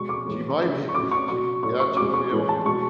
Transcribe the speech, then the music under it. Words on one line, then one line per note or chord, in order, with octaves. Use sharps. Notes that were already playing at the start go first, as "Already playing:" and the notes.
She might be she yeah, she might be able to.
Already playing: B2 G#3 C#6
D6
A2 E3 G#3
C#3 F#3
C#6
A2 F#3 D6
C#6
B2 F#3 C#6
A2 F#3 C#6
C#6
B2 G#3 D6
C#6
A2 E3 G#3
A5
B2 G#3 C#6